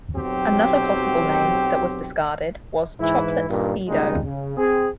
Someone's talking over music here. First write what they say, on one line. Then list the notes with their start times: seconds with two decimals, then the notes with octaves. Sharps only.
Another possible name that was discarded was Chocolate Speedo.
0.15 B1 F#3 C4 G4
3.00 G#2 E3 E4
3.50 G2 A#2 D#3
3.88 A#2 C#3 G3 G#3 A#3 D#4
4.24 C#3
4.57 C4 G#4